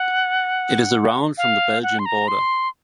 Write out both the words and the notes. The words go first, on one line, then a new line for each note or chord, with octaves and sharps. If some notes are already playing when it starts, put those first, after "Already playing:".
It is around from the Belgian border.
Already playing: F#5
F5
F#5
C6
A#5
C6